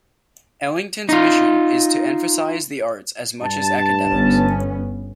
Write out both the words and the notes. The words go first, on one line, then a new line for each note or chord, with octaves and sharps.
Ellington's mission is to emphasize the arts as much as academics.
D#4 F4
G2 A5
G1 B3 C#4